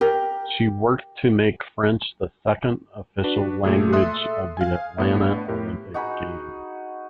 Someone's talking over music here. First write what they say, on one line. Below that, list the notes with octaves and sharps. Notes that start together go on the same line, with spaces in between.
She worked to make French the second official language of the Atlanta Olympic Games.
G4 A#4
D4 F#4 B4
A#2 A3 G#4
A4 E5 C6 D#6 F#6
F5 G#5
A2 B3 D4
A2 G4 A#4
D#4 F#4 G#4 B5